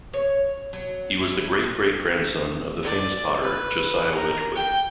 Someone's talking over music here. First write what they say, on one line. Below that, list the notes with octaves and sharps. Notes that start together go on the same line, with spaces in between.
He was the great-great-grandson of the famous potter Josiah Wedgwood.
C#5
F#3
E4
D5
B4
A#4
G5